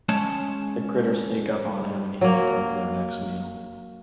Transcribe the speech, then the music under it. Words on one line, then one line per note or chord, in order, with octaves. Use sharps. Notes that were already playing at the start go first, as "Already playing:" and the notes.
The Critters sneak up on him and he becomes their next meal.
G#3 C#4 C#5 A5
F#3 A#3